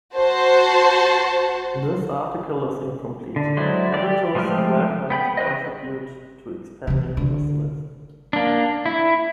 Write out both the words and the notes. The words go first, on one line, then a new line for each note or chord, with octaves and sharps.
This article is incomplete, editors are welcome to contribute to expanding this list.
F#4 C5 A5
D3
F#3 G#3 E4 C5 D5
G4 D5
F3 G#3 A3 G4 F6
B3 G5 B5
E3 B4 C5 D#5
C3 E3
D3
A#3 D4
E4